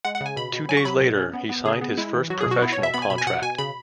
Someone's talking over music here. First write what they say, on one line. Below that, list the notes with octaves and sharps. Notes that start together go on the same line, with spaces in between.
Two days later he signed his first professional contract.
G#3 F#5
F#5
C#3
G#5
B2 B5
B2
F#3 G#5
C#6
F#3 B5
B2
C#4
B3
B3
C#3 G#4
B3
G#3 E4
E3
F#3 F#4
G#4
B2
F#4
B3 E4
C#5
B2
E5
B3 B5
G#5
B2 B5
G#5
B2 F#5
B2 G#5
C#3 B5